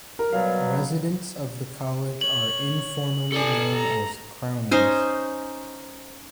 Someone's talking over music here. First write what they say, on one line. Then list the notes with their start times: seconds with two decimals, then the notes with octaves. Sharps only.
Residents of the college are informally known as Crownies.
0.19 A#4
0.33 B2 F#3 G3 F5
2.21 C#5 F#7
3.32 A4 D5 G#5
3.75 A#5
4.71 C#4 D#4 C5 G#5